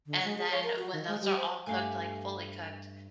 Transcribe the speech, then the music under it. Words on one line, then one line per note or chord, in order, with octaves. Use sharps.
And then when those are all cooked, like fully cooked,
D3
G#3
G#4
C#5
A#4
F#4
D#3
G#3
G3
C5
G2 A3 G4 F5 G#5